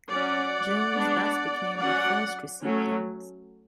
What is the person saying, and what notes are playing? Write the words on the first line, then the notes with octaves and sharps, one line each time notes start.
Jones thus became the first recipient.
F#3 C#4 D5 F#5
G#3 B3 D4
F#3 C#4 D5 F#5
F#3 A3 C#4